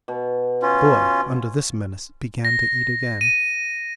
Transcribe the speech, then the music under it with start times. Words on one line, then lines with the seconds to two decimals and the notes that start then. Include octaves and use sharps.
The boy, under this menace, began to eat again.
0.08 B2
0.62 C#4 F4
2.45 A#6
3.21 D#7